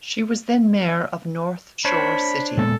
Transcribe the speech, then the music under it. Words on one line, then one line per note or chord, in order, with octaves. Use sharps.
She was then mayor of North Shore City.
D4 C5 C#5 B5
A#2 G#3 B3 A4